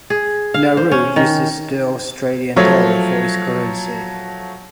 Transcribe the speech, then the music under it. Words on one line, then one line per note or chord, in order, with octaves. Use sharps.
Nauru uses the Australian dollar for its currency.
G#4
F5
C5
C#4
D#3
F3 F#3 A3 C#5